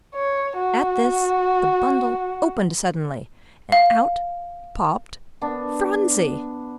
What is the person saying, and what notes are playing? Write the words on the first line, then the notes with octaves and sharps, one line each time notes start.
At this, the bundle opened suddenly, and--out popped Phronsie!
C#5
F#4
F5
B3 D4